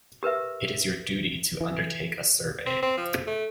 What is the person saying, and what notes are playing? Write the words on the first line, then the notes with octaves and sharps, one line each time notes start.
It is your duty to undertake a survey.
G4 A#4 B4 E5
E3
C4
C4
F3
A3